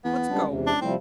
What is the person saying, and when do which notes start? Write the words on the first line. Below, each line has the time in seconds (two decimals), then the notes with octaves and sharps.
"Let's go."
0.04 E2 B3
0.30 C#2 G3 D4
0.47 E2 C3
0.66 D4
0.81 A2 C3 F3 G3 C4